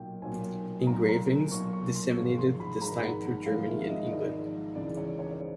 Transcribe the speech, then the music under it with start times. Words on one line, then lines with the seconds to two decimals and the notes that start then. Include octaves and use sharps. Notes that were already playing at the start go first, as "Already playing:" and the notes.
Engravings disseminated the style through Germany and England.
Already playing: B1 A#2 F#3 G5
0.22 B1 A#2 F#3 G#5
0.87 B1 A#2 F#3 A#5
1.09 A#5
1.51 B1 A#2 F#3 C#6
1.73 C#6
1.95 C6
2.16 G#1 G#2 F3 G#3 C#6
2.38 C6
2.60 B5
2.81 G#1 G#2 F3 G#3 A#5
3.03 F#5
3.25 F#5
3.46 G#1 G#2 F3 G#3 F5
3.68 E5
3.82 E5
3.90 D#5
4.11 G#1 G#2 F3 G#3 D5
4.75 C#2 C#3 E3 G#3 D5
4.97 C#5
5.19 C#5
5.32 C#5
5.40 G#3 C5